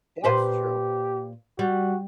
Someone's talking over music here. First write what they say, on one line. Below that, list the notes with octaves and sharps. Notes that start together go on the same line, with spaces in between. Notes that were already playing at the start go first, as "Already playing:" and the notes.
That's true.
A#2 G4 B4 C5
G3 F#4